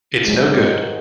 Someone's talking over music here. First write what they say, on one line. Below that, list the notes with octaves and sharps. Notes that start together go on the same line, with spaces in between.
It's no good.
G#2 D#3 F#3 G#3